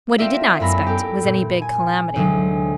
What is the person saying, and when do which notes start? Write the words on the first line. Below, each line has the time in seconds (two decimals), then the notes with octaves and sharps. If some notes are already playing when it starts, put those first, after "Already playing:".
What he did not expect was any big calamity.
0.18 C4 F4 A#4 D5 E5
0.60 F#2 B3 E4 A#4 B5 A#6
0.86 G4 A4 A#4
1.23 A#2
1.62 G#5
2.16 D2 C3 F#3 G#3